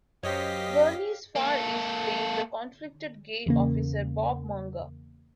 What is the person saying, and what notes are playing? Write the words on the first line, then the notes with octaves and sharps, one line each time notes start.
Gurney's "Far East", playing the conflicted gay officer Bob Munger.
F#2 G4 C5 C#5 D#5 F5 B6
A#3 A4
E2 C#3 A#3